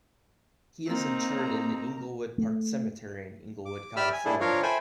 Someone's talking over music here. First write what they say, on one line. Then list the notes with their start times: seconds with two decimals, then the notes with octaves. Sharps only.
He is interred in the Inglewood Park Cemetery in Inglewood, California.
0.87 A#3 C4 D#4 A#5
2.38 A3
3.65 D6
3.96 G4 D5 E5 B5 E6 F6
4.13 G#5
4.25 G3 D4 E4 G#4 A4
4.41 F3 D4 F4 A#4 C#5 F5
4.63 A4 C5 E5 G5 G#5 B5